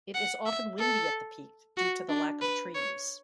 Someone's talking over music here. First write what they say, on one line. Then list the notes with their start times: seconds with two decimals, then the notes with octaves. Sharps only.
It is often windy at the peak, due to the lack of trees.
0.14 F#5
0.46 E5
0.79 A4
1.77 F#4
2.09 D4
2.42 B4
2.75 C#5